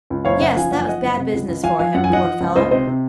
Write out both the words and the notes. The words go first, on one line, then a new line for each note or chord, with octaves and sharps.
Yes, that was bad business for him, poor fellow!
C#2
F#1 C#5 F5
C#3 D#5 F#5
F3 F5 G#5
F#1 F#5
G#5
F3 D#5 F#5
F#1
C3
C#2
C#2
F3 F5 G#5
F3 F5 G#5
F#2 F#5
G#5
F3 D#5 F#5
F3
C#2
C#2 C5 D#5
C3 C5 D#5
C3